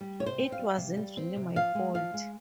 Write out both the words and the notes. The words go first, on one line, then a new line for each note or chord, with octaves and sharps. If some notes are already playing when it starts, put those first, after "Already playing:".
It wasn't really my fault.
G3
C3 C#5
C5
C4
F5
G3
C3
G3
C4
C3
F3 F5
G#3
F3 F5
G#3